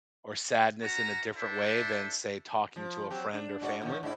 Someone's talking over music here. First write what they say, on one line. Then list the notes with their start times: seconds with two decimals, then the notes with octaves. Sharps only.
or sadness in a different way than, say, talking to a friend or family?
0.81 C#4 F#4 A#5
1.35 D4 E4 A4 C5 E5
2.76 F3
3.10 F#3 C4 G4
3.33 D4
3.62 G#2 F#4 D5
3.81 A2 D#3
4.03 G#2 D4 E4